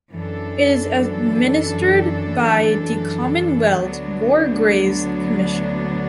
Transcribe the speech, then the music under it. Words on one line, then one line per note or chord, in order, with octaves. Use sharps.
It is administered by the Commonwealth War Graves Commission.
F#2 E3 D4 A4
D2 D3 F#3 B3 D4